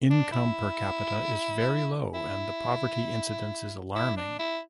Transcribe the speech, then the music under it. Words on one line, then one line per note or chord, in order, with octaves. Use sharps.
Income per capita is very low and the poverty incidence is alarming.
D4
E4
E4
E4
D4
E4